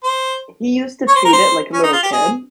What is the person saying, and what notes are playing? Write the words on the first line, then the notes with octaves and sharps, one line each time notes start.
He used to treat it like a little kid.
C5
C#5
C5
A#4
C5
C#4
D#4
F4
G4
G#4